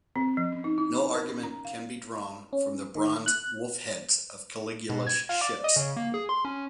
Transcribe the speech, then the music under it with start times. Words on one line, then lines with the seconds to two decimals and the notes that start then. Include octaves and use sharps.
No argument can be drawn from the bronze wolf-heads of Caligula's ships.
0.16 C4
0.37 F3
0.52 C#4
0.64 D#4
0.78 E4
0.94 B5
1.15 A#4
1.29 C#4
1.43 A#5
1.65 F5
2.53 C#4
2.95 D#3
3.26 F#6
4.89 B2
5.07 G#6
5.29 F4
5.41 D5
5.64 D#5
5.76 C#3
5.96 A#3
6.14 G#4
6.29 C6
6.45 C#4